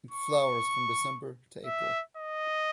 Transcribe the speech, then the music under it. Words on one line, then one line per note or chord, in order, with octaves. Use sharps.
It flowers from December to April.
C#6
E5
D#5